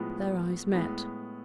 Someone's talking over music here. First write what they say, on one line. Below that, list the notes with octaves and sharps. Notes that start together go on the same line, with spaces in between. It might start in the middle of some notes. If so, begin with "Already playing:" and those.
Their eyes met.
Already playing: A2 F3 G#3 B3
A2 G#3 B3